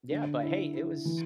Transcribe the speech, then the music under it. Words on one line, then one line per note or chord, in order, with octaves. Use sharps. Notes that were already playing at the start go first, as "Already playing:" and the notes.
Yeah, but, hey, it was
D3
E4
E4
E3